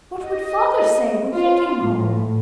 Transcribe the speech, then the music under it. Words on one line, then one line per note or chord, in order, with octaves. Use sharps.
What would father say when he came home?
D#5
F4
A2